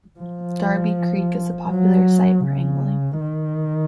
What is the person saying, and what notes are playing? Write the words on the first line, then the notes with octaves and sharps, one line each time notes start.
Darby Creek is a popular site for angling.
F3
F#3
C#3
D#3